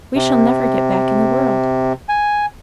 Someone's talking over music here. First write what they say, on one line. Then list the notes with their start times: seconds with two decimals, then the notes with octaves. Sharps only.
We shall never get back in the world!
0.15 C3
2.09 G#5